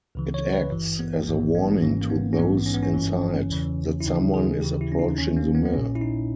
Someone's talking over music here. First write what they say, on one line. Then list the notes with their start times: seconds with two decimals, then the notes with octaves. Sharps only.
It acts as a warning to those inside that someone is approaching the mill.
0.15 C#2 C#3 E3
0.34 C#5
0.53 B4
0.72 G#1 G2 E3
0.99 B3
1.27 A#1 G#2 E3 A#3
1.55 B3
1.82 G#1 G#2 E3 C#4
2.02 A#3
2.10 B3
2.33 C#4
2.39 A#1 G#2 E3 B3
2.66 C#4
2.74 B3
2.83 C#4
2.94 G1 G2 E3
3.50 E2 C#3 E3
4.01 E4
4.06 D#2 C#3 E3 D#4
4.34 G#4
4.61 D#2 C#3 E3 G4
4.81 E4
4.92 C#4
4.99 D#4
5.17 D#2 D#3 C#4
5.37 A#3
5.55 B3
5.65 B3
5.73 A#1 A#2 C#4
5.95 E4
6.01 D#4